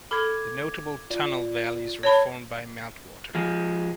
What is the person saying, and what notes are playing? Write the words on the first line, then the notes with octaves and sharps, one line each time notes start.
The notable tunnel valleys were formed by meltwater.
A4 B5 D6 G#6
F4 D5
C#5 A5 B5 G#6
F3 G#3